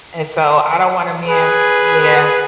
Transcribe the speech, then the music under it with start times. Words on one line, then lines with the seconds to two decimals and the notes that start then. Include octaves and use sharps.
and so, I don't wanna man yeah,
1.27 G#4 B4